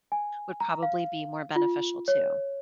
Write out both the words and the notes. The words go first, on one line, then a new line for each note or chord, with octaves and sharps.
would probably be more beneficial too.
G#5
A#5
F5
F4
C#5